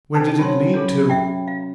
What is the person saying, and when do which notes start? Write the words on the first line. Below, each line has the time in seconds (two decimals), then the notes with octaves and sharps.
Where did it lead to?
0.15 C3 D4 D#4 A5
0.39 F#3 C#4 F4 C6
0.74 G#4 A4 C#5 B5
0.89 G#6
1.10 E5 G5
1.48 F5